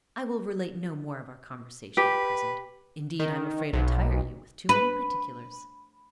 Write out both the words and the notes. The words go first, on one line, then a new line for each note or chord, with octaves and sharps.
"I will relate no more of our conversation at present; indeed I am afraid I tire you with too many particulars."
G4 B4
D#3
B1
B4